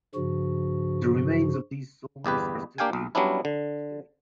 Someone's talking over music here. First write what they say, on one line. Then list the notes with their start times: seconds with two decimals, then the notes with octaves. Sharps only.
The remains of these soldiers are still being uncovered today.
0.15 G2 C#3 F3 F#4
2.24 G1 E2 G4 B4
2.78 A#3 D4 G4 F5 G5 G#5
2.93 B1
3.15 F#3 G3 B3 C#4 D4 E4
3.45 D3